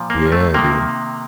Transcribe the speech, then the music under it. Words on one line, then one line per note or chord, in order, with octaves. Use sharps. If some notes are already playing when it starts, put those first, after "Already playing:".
Yeah, dude.
Already playing: A#2 F3
A#3
A3
C3 D#3 A#3